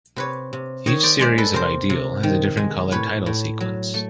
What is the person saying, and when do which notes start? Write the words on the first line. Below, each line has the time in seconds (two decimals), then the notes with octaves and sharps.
Each series of "Ideal" has a different coloured title sequence.
0.16 C3 B4 C#5
0.53 C3
0.86 D#3 C#5 D#5
1.03 C5 D5
1.19 G#3 C5 D5
1.38 A4 B4
1.54 C3 A#4 C5
1.90 C3
2.23 D#3
2.57 G#3
2.92 A2 B4 C#5
3.26 A2
3.60 F#3
3.94 A3